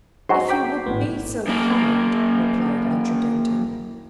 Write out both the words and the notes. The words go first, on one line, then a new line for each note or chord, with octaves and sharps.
"If you would be so kind," replied Andrew Denton.
G#2 F#3 F#4 C6
G5 D6 B6
G#1 A2 B3
F#2 A#3